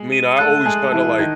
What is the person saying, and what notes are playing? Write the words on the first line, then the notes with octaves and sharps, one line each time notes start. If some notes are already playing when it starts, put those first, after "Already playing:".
I mean, I always kinda, like
Already playing: G#3
D#7
A3 A4 F#6
G#3 G#4 A5
E3 E4 A5
D#3 D#4 G#6